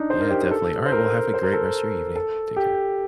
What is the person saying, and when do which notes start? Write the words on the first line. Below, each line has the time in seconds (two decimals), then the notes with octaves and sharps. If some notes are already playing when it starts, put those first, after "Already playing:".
Yeah, definitely, all right, well, have a great rest of your evening, take care.
Already playing: D4 D#4
0.10 C5
0.20 A#4
0.31 G4
0.42 G4
0.51 A4
0.86 C5
0.92 A#4
1.34 C5
1.43 A#4
1.53 A4
1.63 A#4
2.16 A4
2.56 G4